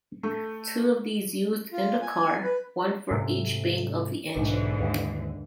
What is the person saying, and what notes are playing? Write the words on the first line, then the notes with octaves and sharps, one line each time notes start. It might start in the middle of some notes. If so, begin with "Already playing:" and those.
Two of these used in the car: one for each bank of the engine.
A3
F4
G#5
B4
G#2 C3 A3
B1 G#2 D3 E3
D#2